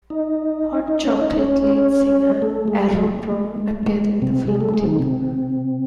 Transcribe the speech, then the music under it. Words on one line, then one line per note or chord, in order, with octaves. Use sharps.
Hot Chocolate lead singer Errol Brown appeared in the film clip.
D#4 D#5
D#4 D#5
C#4 C#5
D#4 D#5
C#4 C#5
A3 A4
G#3 G#4
F#3 F#4
A3
A3
G#3
A3
G#3
A3
G#3
G#3
C3 C4
G#3 G#4
A3 A4
G#3 G#4
D#3 D#4
C3 C4